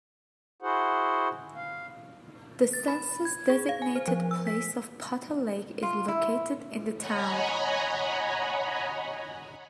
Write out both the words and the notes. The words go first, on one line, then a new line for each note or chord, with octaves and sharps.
The census-designated place of Potter Lake is located in the town.
E4 F#4 G#4 C5 F#5
F5
A6
B5
G#6
G#4
F5
G#5
C5
F3
E6
B6
F4
E4
C#5 D#5 F#5 G#5 A#5 B5